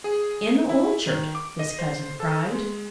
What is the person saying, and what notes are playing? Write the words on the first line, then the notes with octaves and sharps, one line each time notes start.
"In the orchard!" his cousin cried.
G#4
E4
D#3
D6
D#5
C5
A4
G#3